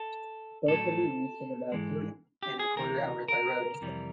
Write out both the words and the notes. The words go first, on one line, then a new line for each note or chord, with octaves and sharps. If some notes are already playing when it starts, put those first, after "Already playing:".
Both can be reached in about two and a quarter hours by road.
Already playing: A4
A2 F#3 A4
G#2 E3 G#3
G4
G#4
D2 C3 E3 A#4
A#4
F2 C3 E3 G3